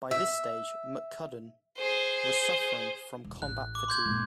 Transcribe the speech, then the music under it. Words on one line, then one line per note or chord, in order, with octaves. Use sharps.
By this stage McCudden was suffering from combat fatigue.
E5
G#4 C5
E1
A1 F#6
D6
C6 G6 G#6
G#1 A#2